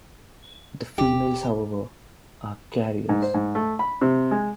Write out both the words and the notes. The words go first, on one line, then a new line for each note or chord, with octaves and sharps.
The females however, are carriers.
D#1 G4
G#2
C5
G#2
A3
B5
C3
G#3